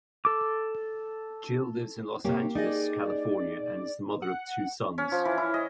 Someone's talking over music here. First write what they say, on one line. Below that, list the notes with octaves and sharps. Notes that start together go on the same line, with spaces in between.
Gill lives in Los Angeles, California and is the mother of two sons.
A4 D6
C3 A#3 G4 C#5
D#4 G#4 D5 D#5
F#5
C#4
F3
E3
E4
D#5